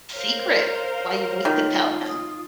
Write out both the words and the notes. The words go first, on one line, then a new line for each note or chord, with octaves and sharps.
secret while you wait to tell them?
A#4 C5 C#5 F5
D#3 F4
D#6